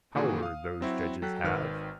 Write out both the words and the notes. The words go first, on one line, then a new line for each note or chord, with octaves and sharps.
Power those judges have.
A#2 D#3 E3 A#3 F#4 G#4
F5 D#6
F#3 C4 E4 F#4
F#3 A4 G5 F#6 B6
G#1 D#3 B4 F6